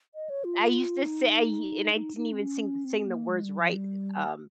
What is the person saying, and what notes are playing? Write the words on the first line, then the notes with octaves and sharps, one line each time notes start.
I used to say and I didn't even sing sing the words right, eh, um,
D#5
C#5
F4
D#4
D#4
D#4
C4
C#4
C4
A#3
G#3
G3
F3
G3